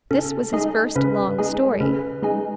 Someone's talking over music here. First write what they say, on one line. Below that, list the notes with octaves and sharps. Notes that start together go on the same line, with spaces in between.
This was his first long story.
C#3 A4
G#3 D#4 G#4
C#3 B4
G#3 D#4 G#4
A4
C#3 B4
G#3 D#4 G#4